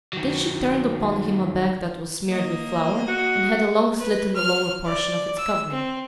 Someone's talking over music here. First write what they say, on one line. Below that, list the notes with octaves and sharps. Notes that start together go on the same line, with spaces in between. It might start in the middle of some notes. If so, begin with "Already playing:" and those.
Then she turned upon him a back that was smeared with flour and had a long slit in the lower portion of its covering.
D#3 F#3
A#3 D#5
F#4 F#5
B4
F6
D5
E6
C4